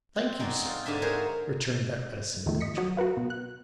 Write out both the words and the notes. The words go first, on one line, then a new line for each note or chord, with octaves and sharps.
'Thank you, sir,' returned that reticent individual.
C4
G#3 D#4 F#4 D5
F4
G#2 D3 D4 E5 C6
F#4 G#4 A#4 C5 C#5
E2 D#3 F3 A3
D#5 B6 C#7
F#3 D#6
F#4 A#4 B4 F5
B2
F#6